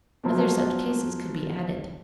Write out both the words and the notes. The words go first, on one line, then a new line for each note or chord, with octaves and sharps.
Other such cases could be added.
B2 F3 F#3